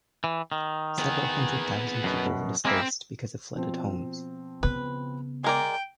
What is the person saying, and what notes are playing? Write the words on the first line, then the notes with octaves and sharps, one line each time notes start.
Several hundred thousand people were displaced because of flooded homes.
E3
D#3
B3 G#4
F#2 B2
G#3 A#3 C4 E4
B2 F3 C4
C#3 B3 B4
G#3 A#4 D5 G5